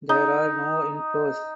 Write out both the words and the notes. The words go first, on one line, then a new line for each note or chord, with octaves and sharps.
There are no inflows.
D#4